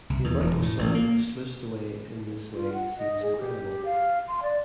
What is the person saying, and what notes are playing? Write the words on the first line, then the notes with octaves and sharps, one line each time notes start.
The amount of soil sluiced away in this way seems incredible.
C2
E2
E1
A2
A1
A#3
F4
F#5
D#5
G#4
G4
F5
C6
D5